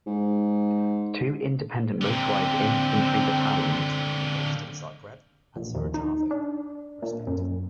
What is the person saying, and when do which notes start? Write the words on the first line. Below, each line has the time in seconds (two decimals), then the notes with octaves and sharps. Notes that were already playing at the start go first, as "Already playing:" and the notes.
Two independent motorized infantry battalions were based at Zagreb and Sarajevo respectively.
0.07 G#2
2.01 D3 A#3 C4
5.56 A#1
5.75 D#2
5.94 D#4
6.31 D4
7.02 A#2
7.27 F#2